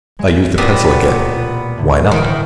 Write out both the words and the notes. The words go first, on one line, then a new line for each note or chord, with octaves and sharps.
I used the pencil again: "Why not?"
G#3
A#2 B3 G4
B2 D#7
A2 D3
D#3 E3